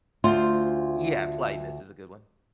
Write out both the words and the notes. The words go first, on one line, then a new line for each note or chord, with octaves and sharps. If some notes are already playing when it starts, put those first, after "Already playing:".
Yeah. Politeness is a good one.
D2 F4 C5